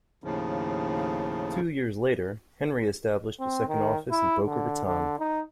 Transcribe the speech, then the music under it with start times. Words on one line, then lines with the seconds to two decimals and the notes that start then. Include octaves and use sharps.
Two years later, Henry established a second office in Boca Raton.
0.24 D#2 A2 C#3 F3
3.39 C4
3.68 D#3
4.11 E4
4.45 D3
4.86 D3
5.19 D#4